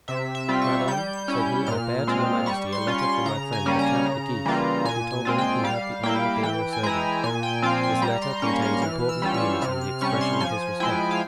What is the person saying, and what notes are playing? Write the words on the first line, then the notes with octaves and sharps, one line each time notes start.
"Madame," said he, "I bear to your majesty a letter from my friend the Count de Guiche, who told me he had the honor of being your servant; this letter contains important news and the expression of his respect."
C3 E5
E5
G3 C4 F4
C#6
G3 G6
G6
C#4 E4
A#2 F6
G#3 C4 F4
G3 C#6
C6
C#4 F4
C6
C#3 A#5
G#5
G3 A#3 C#4
A#5
C#3
E3 G3 A#3 F4
A#2 G#5
G#5
G#3 C4 F4
G5
G3 F5
A#3 E4 G5
E3 G5
G#5
G#3 E4 A#5
A#2 G#5
G5
F3 C4 F4 F5
G#5
G3 A#5
C6
A#3 C#4 C#6
F6
E3 F6
E6
G3 C#4 F4
C#6
C3 F6
F6
G3 C#4 C#6
C6
F3 G#5
G#3 E4 G5
F5